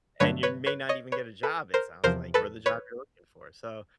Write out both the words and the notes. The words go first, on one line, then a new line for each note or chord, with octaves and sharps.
and you may not even get a job, it sounds, like, or the job you're looking for. So
G2 D3 F#3 A3 D4 B4 C#5
B4 C#5
B4 C#5
C#5 D#5
B4 C#5
A4 B4
A#4 C5
E2 C3 F3 A#4 C5
A4 B4
B4 C#5